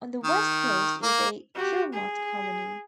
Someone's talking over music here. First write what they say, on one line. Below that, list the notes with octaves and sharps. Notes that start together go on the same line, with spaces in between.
On the west coast is a guillemot colony.
D#3
A#3
F#4 G4
G#4